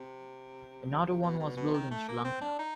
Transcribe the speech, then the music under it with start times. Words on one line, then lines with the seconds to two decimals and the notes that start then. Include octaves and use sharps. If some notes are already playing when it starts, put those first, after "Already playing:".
Another one was built in Sri Lanka.
Already playing: C3
1.22 B2
1.40 B2
1.57 B2
1.74 D#3
1.91 A3
2.08 A#3
2.25 C4
2.42 D4
2.59 D#4